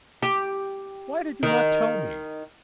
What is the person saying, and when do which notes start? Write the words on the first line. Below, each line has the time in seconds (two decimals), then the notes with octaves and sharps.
"Why did you not tell me?"
0.22 G4
1.43 D#3